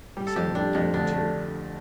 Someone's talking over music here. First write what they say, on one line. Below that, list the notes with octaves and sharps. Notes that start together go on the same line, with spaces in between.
He suddenly came to.
G3
A4
F2 G4
G3 D4
F2
D2 D4
A3